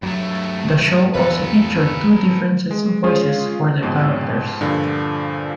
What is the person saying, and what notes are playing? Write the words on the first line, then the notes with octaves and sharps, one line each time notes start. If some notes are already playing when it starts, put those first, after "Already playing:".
The show also featured two different sets of voices for the characters.
G2 F#3 A3
E2 G2 A#2 A4 B4
G#3
G#3 C#4 F4 G#4
F2 G#2 B2
G2 A#2 D3 F3